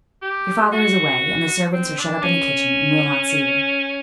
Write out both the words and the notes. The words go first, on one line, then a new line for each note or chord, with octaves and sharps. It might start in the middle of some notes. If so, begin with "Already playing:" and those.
Your father is away, and the servants are shut up in the kitchen and will not see you.
G4
F#4
C4
D4
C#4